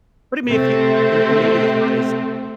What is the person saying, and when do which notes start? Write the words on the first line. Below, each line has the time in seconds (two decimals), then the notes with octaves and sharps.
But I mean if you and and maybe the thought is,
0.49 C3 A3 C4